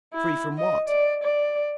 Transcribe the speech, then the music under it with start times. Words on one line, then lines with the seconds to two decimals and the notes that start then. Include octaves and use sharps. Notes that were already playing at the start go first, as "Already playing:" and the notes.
Free from what?
0.14 E4
0.58 D#5
0.88 D5
1.23 D5